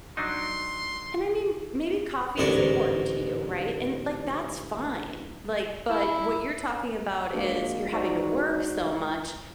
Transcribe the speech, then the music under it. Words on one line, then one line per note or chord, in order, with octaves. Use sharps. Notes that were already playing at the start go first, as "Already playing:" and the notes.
and I mean, maybe coffee is important to you, right, and, like, that's fine, like, but what you're talking about is you're having to work so much,
F#3 D4 D#4 C6
A1 D2 G#2 A#4 D5 C#6
E4
G#3 A#3 D4 F#4
G#3 D#4 F#4 C5 D5